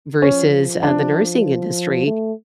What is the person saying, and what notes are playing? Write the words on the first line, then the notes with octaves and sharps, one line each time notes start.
versus, uh, the nursing industry,
F3 C#4
D4
A3